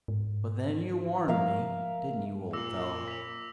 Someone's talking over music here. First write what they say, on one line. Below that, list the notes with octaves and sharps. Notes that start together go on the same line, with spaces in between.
But then you WARNED me, didn't you, old fellow?
G#2
F3 A#4 E5 F5
A#2 D6 E6 A#6
B6 F7